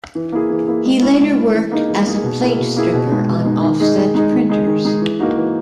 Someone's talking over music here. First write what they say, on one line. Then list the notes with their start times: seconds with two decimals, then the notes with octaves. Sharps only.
He later worked as a plate stripper on offset printers.
0.15 E3
0.32 A#3 E4 G#4
0.50 E3
0.68 A#3 E4 G#4
0.86 G#3
1.02 C#4 E4
1.20 G#3
1.37 C#4 E4
1.54 E3
1.72 A#3 D#4 G#4
1.89 E3
2.07 A#3 D#4 G#4
2.23 B2
2.41 A#3 E4 G#4
2.58 B2
2.77 A#3 E4 G#4
2.93 B2
3.11 G#3 D#4
3.29 B2
3.45 G#3 D#4
3.62 D#3
3.80 G#3 D#4 G#4
3.98 D#3
4.15 G#3 D#4 G#4
4.32 D#3
4.49 G#3 D#4 G#4
4.67 D#3
4.85 G#3 D#4 G#4
5.01 E3
5.19 A#3 D#4 F#4
5.36 E3